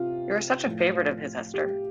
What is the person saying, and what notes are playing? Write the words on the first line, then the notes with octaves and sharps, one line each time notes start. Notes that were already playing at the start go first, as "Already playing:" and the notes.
You are such a favourite of his, Esther.
Already playing: C3 F4
A2 F3
G4